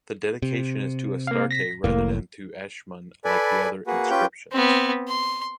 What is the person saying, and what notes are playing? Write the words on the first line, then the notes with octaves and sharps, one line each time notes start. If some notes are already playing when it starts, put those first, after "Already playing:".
The dedication is to Astarte rather than to Eshmun like the other inscriptions.
C3
A#3 F5
A#6 B6
F1 A2 A#3
A4 B4 D5 G#5 B5
A#3 F#4 G#4 B4
C#4 F4 G4 B4 G5 G6
B3 C4
C6